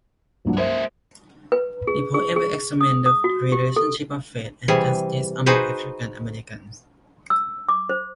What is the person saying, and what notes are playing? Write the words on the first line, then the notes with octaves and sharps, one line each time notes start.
The poems examine the relationship of faith and justice among African Americans.
C2 G2 F#3
G#3 A#3 C5 E5
B4
G#4
G#4
G#4
D#6
D#6
F#4
G4
A4
C3 E3 G3 G#4
D#4 F#4 G#4 B4 C5
E6
D6
C5